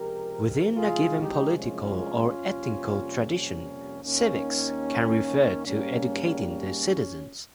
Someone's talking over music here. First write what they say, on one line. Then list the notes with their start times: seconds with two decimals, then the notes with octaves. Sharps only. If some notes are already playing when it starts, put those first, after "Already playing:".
Within a given political or ethical tradition, "civics" can refer to educating the citizens.
Already playing: C#2 C3 F3 G#3 G4 A#4
0.76 C2 C3 F3 G#3 F4 G#4
1.17 D#4 G4
1.57 C#4 F4
2.39 F2 C3 G3 A#3
3.20 C#4
4.02 D#2 D#3 A#3 C#4
5.65 G#2 G3 A#3 C#4
6.47 C#4